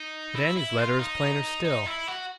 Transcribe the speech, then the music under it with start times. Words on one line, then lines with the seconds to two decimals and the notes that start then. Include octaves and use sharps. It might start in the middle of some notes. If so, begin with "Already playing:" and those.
But Annie's letter is plainer still.
Already playing: D#4
0.35 E4
0.57 E4
0.78 F4
0.99 D#4
1.64 D#4
1.86 E4
2.07 F#4